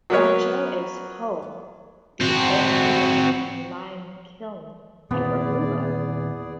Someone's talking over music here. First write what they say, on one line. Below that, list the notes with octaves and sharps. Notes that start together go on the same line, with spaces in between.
Rancho is home the only remaining lime kiln of Aruba.
F#3 A#3 B3 A#4 B4 C#5
C4 F#4
E2 A#2 D#3 B3 C4 G#4 D5